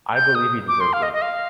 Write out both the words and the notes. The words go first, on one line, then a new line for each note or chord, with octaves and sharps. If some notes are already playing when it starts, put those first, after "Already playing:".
I believe he deserved it'.
G6
D#6
D6
C6
F5
D#5
D#5
F5